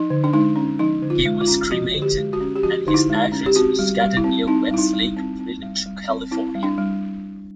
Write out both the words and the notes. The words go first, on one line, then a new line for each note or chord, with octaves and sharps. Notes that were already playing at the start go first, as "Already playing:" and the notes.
He was cremated, and his ashes were scattered near Westlake Village, California.
Already playing: F3 D#4
D3
D4
G#3 D#4
C#4
F3 D#4
D3
F4
G#3
F4
C#4
F3 F#4
D3
G4
G#3
F#4
C#4
G4
F3 F#4
D3 D#4
E4
G#3
C#4
G4
C4 F#4
G3
G3
E4
C4
C4 D#4
G3 E4
D#4
G3
C4
C4
G3
G3
C4
C4 E4
G3
D4
G3